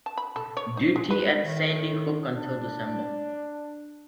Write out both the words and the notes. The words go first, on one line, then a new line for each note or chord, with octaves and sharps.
Duty at Sandy Hook until December.
A5
B5
A4
C#5
D#4
G#3
B4
A2 D#3
D4